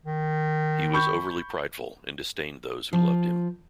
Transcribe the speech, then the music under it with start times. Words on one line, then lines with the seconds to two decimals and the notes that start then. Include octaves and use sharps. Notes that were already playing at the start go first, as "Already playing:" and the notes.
He was overly prideful, and disdained those who loved him.
0.06 D#3
0.93 B5 C#6 G6
2.93 F3